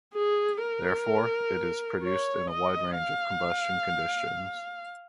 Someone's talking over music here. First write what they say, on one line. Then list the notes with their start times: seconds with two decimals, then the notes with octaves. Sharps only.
Therefore, it is produced in a wide range of combustion conditions.
0.14 G#4
0.61 A#4
2.03 C#5
2.51 D#5
2.98 F5